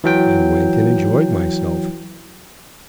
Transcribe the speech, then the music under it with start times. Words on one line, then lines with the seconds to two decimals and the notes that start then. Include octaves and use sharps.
I went and enjoyed myself.
0.04 E3 F#3 G5